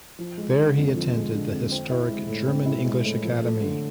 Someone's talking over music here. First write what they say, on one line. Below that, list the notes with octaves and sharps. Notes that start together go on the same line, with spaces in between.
There he attended the historic German-English Academy.
F3
G#3
D3
F2
F3
G#3
D3
F2
C4
E4
G#3
A2
C4
E4
G#3
A2
F3
A3
D3